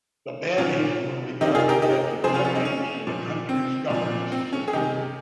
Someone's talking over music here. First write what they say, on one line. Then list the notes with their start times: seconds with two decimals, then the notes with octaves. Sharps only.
The bateys were regarded as exceptions to the country's governance system.
0.58 A#2 F3 C#4 F4
1.41 C3 D#3 D#4 G4
1.55 F4 G#4
1.69 G4 A#4
1.82 D#4 G4
2.24 C3 F3 G#4 C5
2.34 C#4 F4
2.44 C#4 F4
2.55 C4 D#4
2.65 C#4
3.07 A#2 F3
3.49 C4
3.90 A#2 F3
4.32 C4
4.53 C#4
4.68 G#4
4.73 C3 D#3 D#4 G4